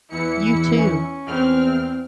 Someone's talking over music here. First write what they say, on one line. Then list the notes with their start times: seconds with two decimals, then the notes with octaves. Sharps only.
You too.
0.10 E2 E3 E4 C#7
0.72 C#4
1.27 E2 C4 F6